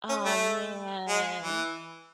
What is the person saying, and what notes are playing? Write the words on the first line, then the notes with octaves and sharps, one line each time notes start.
Oh, man.
C#4
A3
G#3
E3